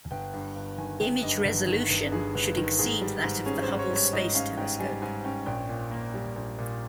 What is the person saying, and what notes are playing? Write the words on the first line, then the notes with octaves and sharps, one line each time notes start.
Image resolution should exceed that of the Hubble Space Telescope.
G1 G5
G2
G1
D#3 G#5
G1 G5
G2 D#5
G1
D#3
G1
G2 G#4
G1
D#3
G#2 G#4
G3
G#2
C#4 G#4
C5
G#2
C#5
G3 C#5
G#2 D#5
C#4 F5
G#2 G5
G3 G#5
G#2 G#5
C#4 G5
A#1 G5
A#2
A#3
G3
A#1
A#2